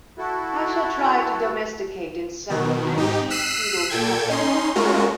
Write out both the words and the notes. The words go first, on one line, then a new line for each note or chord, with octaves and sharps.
I shall try to domesticate in some antique feudal castle.
E4 F#4 A4
B2 D#3
G#2 D#4 G4
E6 F#6 B6 C7 D#7 E7
A#2 A4 G5 G#6
C#4 D#4 C6
G#3 A3 C#4 F4 F#4 A#4